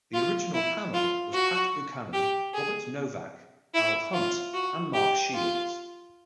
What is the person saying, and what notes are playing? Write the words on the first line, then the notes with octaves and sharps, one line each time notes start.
The original panel was Pat Buchanan, Robert Novak, Al Hunt, and Mark Shields.
F4
E4
F4
F#4
G4
G#4
E4
F4
F#4
G4
F4